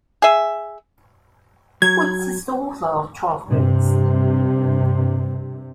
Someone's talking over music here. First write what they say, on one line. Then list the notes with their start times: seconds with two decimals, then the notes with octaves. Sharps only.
Woods is the author of twelve books.
0.22 G#4 E5
1.82 F#3 G#6
3.45 G2 C3